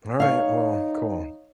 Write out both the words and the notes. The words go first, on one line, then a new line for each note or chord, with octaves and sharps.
All right, well, cool.
D#4 C#5 F5